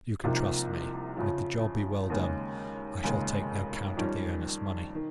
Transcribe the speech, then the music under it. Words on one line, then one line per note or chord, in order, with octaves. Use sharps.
You can trust me, and if the job be well done I shall take no count of the earnest money.
C2 C3 F3 A#3 D#4
F2 C#3 F3
D#2 C#3 G#3
F1 D#2 C#3 G#3
F2 D#3 G3 C#4
D#3